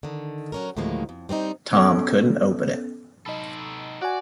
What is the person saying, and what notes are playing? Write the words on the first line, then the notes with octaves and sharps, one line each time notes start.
Tom couldn't open it.
D3 D#3
F#3 C#4 A#4
D2 A2 D#3 F3 G#3 A#3
F2
G3 C4 C#4 D#4
B3 C#4 A4
D#4 A4 D#5 B5
F#4 D5 G#5 F#6